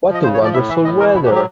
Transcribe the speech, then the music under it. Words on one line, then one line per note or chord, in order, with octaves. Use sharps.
What a wonderful weather!
F3
D#5
C#3 C5
C#5
F3 D5
A2 E5
E3 E5
A2 D#5
E3 A#4
B2 E4
G4
F#3
G4